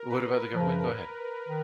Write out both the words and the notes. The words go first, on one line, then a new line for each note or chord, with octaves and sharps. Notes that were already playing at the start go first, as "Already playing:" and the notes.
What about the government? Go ahead.
Already playing: A#4
B4
F#2 C#3 F3
D#3